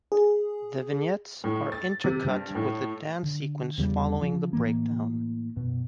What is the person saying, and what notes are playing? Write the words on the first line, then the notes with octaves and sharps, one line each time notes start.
The vignettes are intercut with the dance sequence following the breakdown.
G#4
A2
A6
C3
G2
A2
D3
E2 C#3 G3
C#3 F3
A2 E3 A#3
F#2 B2